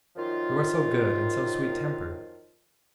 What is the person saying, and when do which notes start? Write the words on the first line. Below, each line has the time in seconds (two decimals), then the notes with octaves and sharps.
You are so good, and so sweet-tempered.
0.16 F#2 D#3 F3 F4